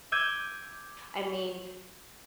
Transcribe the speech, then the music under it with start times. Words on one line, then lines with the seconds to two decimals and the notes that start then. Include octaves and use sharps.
I mean,
0.12 D6 E6 G6 G#6 D#7